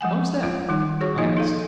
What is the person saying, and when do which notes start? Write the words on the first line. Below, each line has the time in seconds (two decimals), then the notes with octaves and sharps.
"How is that?" I asked.
0.01 F3 G#3 F#5 G#5
0.43 F4
0.69 D#3 G3 D#4
1.01 F#4 G#4 C#5 C#6
1.18 F3 A#3 D#4 F4 D#5
1.37 D#4 A4 F5